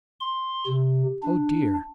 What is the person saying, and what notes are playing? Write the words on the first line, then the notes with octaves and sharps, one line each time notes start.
Oh dear!
C6
C3
D4